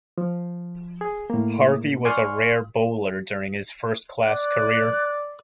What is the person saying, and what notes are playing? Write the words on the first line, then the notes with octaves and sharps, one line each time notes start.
Harvey was a rare bowler during his first-class career.
F3
G#4
A2 A#3
D5 F#5 G#5 C6 C#6 F6
D5 F#6